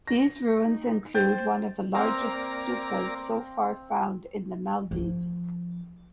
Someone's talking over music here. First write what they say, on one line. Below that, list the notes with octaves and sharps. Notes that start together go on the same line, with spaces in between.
These ruins include one of the largest stupas so far found in the Maldives.
A#6
D#4
C5 G5 G6 A6
A#3 C4 D5 F5 A#5
F3 D4